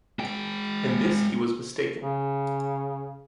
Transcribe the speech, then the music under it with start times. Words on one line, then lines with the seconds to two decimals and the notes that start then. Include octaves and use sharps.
In this he was mistaken.
0.19 G#3 G5
2.01 C#3